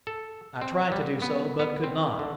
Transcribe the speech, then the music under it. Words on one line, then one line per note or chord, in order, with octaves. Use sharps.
I tried to do so, but could not.
A4
C4
G3
B3
B3
C4
D3